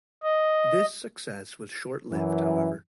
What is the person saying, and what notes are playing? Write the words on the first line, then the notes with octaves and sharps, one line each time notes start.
This success was short-lived, however.
D#5
F#2 E3